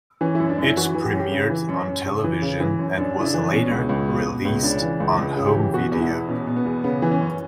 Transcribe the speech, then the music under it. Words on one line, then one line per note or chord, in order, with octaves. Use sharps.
It premiered on television and was later released on home video.
E3 C#4
F#2 E4
D4
F#2 E4
E3 F#4
E3
G4
F#2
G4
C#3
E3
F#2
F#2
C#3
E3
C#3
E3
F#2
F#2 D4
C#3 E4
D4
E3
B2 C#4
C#2
C#2
B2
B2
C#2
C#3 D4
E3
C#2
C#2
C#3
G4
E3
B2 F#4
E2
E4
E2
B2 C#4
B2
B3
E2
C#3 B3
E3
C#4
F#2